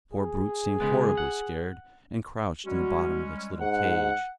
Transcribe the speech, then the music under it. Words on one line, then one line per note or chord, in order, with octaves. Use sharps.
The poor brute seemed horribly scared, and crouched in the bottom of its little cage.
G#4
C#3 G#3 B3
F#5
G3 G#3 C#4 F#4
G#2 F#5